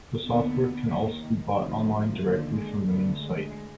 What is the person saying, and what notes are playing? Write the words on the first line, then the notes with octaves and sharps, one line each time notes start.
The software can also be bought online directly from the main site.
D#2 D3 B3
D#2 D#3
D2 C3 D#3 F3
D#2 D3 F3
G#3
D2 D3 B3
G#3